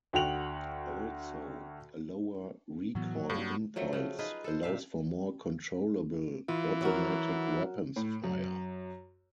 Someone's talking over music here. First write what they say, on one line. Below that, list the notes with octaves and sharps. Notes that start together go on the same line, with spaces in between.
Also, a lower recoil impulse, allows for more controllable automatic weapons fire.
D2 F#4 F#5 G5 F7 F#7
A2 E3 F#3 B3
G2 A#3 D4
F3 F#3 A3
C#3 A3
D#4 F4 G#4 B4
A4 C5
A#2 E5 F5
E3 F4
F#3 F#4 A#4
A2
F#2